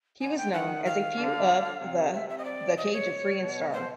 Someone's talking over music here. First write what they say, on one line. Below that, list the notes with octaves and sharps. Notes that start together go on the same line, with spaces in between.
He was known as a few of the The Cage of Free and Star.
D3 G#5
G5
D#3 F#5
F5
D3
C3
C3 E5
E5
D#5
D5
D#5
C#5
B2
C5